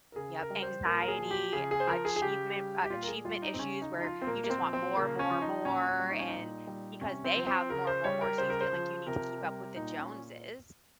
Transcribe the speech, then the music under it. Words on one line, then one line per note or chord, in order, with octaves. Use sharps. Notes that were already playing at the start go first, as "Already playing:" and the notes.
Yep. Anxiety, achievement a achievement issues where you just want more, more, more, and because they have more, more, more, so you feel like you need to keep up with the Joneses.
A#4
C#3 G#4
A#4
G3
C5
A#2 A#4
A#4
G#4
F3
G4
C#3 G#4
G#4
C5
F3 A#4
G#4
G#4
C#3 G4
G3
G4
A#2 F4
A#4
G#4
G3 F4
D#4
C4
C#3 C#4
D#4
F3
D#4
F4
C4
A#2 A#3
A#3
C4
F3
C4
C#3 A#3
C#4
F3
D#4
A#2 C#4
C#4
G3
D#4
C#4
D#4
A#2
G3
C3 C#4
C4
F3
C4
C#3 A#4
C5
G3 C#5
A#4
C#3 C5
A#4
C5
F3
C3 A#4
G3
A#2 D#4
C#4